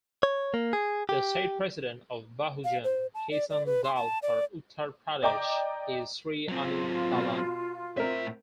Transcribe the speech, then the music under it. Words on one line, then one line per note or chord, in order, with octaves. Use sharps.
The state president of Bahujan Kisan Dal for Uttar Pradesh is Sri Anil Talan.
C#5
A#3
G#4
G4
F5
C5
A5
D5
D5
B4
C6
A5
D5
D5 D#5 G5 A#5 D6
F#3 C4 F4
B2
A2 C4 A#4 E5